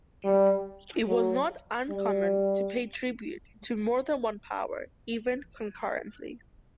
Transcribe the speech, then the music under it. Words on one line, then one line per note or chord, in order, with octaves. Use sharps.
It was not uncommon to pay tribute to more than one power even concurrently.
G3
F#3
G3